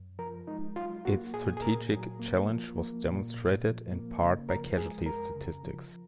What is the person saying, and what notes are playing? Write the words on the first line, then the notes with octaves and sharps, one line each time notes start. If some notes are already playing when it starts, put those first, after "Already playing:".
Its strategic challenge was demonstrated, in part, by casualty statistics.
Already playing: F#2
F3 A#4
G#3 D#4
F#3 F4
A#3 F#4
A#2 G#4
G#4
A#2 A#4
F#3
A#3
F3
A#3
A#2
A#2
F3
A#3
C#3
F3 A#4
G#3 G#4
F2 A#4
C#3
F3